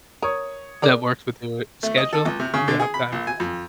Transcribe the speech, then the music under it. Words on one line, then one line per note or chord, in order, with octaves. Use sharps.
that works with your schedule, do you have time for that?
A#4 C#5 D#6
G#4 A#4 D5
A3
D#5
A4
C#2
C3
C#3
D3
G#4
B5
A#1
G#5
F2